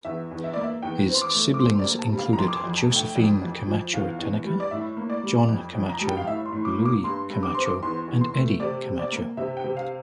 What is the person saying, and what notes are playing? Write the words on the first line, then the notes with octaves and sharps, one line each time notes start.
His siblings included Josephine Camacho Tanaka, John Camacho, Luis Camacho, and Eddie Camacho.
E2 E5
E2
E5
A#3 D5
E5
E2 G5
C4
C6
D6
A3
D6
C3 C6
D5
A#3
A5
G3
F5
A#5
F2 C6
D6
C6
F2
A5
A3
G5
F2
F2
F3
E2 F5
E2
G3
D5
A2 E5
A#3
D5
G3
F2
F2
A#5
G3 A5
G5
F5
A2 E5
C6
A2
D6
A#3
D6
G2 C6
G2
D6
C4 C6
D6
E2 C6
E2
C6
A3
C3 D5
C3
D5
A#3
C3 E5
G5
C3
F5